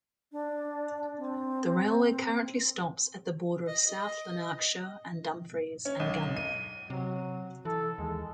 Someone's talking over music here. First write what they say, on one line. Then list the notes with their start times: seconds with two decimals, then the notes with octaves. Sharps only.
The railway currently stops at the border of South Lanarkshire and Dumfries and Galloway.
0.32 D4
1.18 C4
3.68 D#5
5.85 C#4
6.00 B1
6.37 D#7
6.90 C3 F#3
7.65 E3 A4
7.99 D#2 G#3